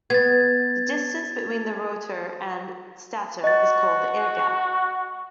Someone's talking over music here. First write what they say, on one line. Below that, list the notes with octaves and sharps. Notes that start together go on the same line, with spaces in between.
The distance between the rotor and stator is called the air gap.
B3 G#6 A6
F#4 D#5 A6